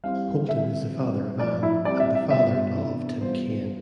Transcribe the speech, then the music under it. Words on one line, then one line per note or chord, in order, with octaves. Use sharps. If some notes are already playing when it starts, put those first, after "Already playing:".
Holton is the father of Anne, and the father-in-law of Tim Kaine.
G3 C4 E4 G4 C5 F5
D3 G3 C4 E5
E3 G3 C4
A2 F3 A3 D5
E4
G3 C4 G4 D5
E5
E5
B2 G3 B3 F4 C5 E5
C3 E3 B3 D4 A4
G3 B3 F4 C5